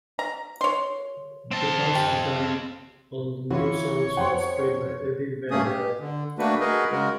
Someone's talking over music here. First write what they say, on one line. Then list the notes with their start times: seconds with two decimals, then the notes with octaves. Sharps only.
The bass guitar on the new songs was played by Eddie Van Halen.
0.19 A#5
0.61 C#5 C6
1.51 C4 A5
1.95 G4
3.50 E3 F4 F#4 C#5
4.17 F2 F#5 G5 C6
5.51 G2 A3 A#3 C#4 G#4 D#6
5.64 G4
6.00 D3
6.39 A3 A#3 D4 F#4 B4
6.60 F#4 G#4 A#4 B4 D#5
6.92 C#3 G#3 F#4 A#4